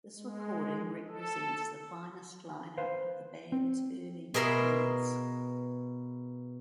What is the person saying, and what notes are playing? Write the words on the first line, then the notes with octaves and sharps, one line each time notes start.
This recording represents the finest lineup of the band’s early years.
G#3
A4
B4 C5 F5
C4
B2 G#4 A#4 E5 B5 C6